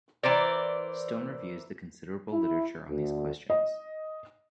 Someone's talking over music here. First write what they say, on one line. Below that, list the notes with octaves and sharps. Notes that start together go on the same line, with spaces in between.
Stone reviews the considerable literature on these questions.
E3 A#4 C5 D5
E4
D2
D#5